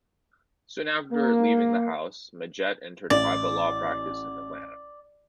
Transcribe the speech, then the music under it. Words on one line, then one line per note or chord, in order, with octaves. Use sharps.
Soon after leaving the House, Majette entered private law practice in Atlanta.
A#3
A1 D5